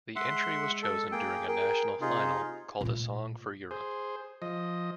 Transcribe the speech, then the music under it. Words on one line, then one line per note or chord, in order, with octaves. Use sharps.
The entry was chosen during a national final called A Song for Europe.
G#3 E5 F#5 C6
A4
A#3 G#4 G5
G#4 A#4 G5
C3 D#4 F4 G#4
A#2 A3
G#4 C5
F3 D#5